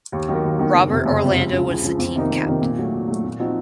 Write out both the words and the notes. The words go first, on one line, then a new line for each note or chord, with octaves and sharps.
Robert Orlando was the team captain.
D#2
D#3 F#3 A#3
D#2
D#3 F#3 A#3
F#1
F2 C3
F#1
F2 C3
C#2
C#3 F3
C#2
C#3 F3
F2
C3 D#3 A#3 D#4
F2
C3 D#3 A#3 D#4
A#2
F#3 A3
A#2
F#3 A3
A#2
F3 C4 D#4 F#4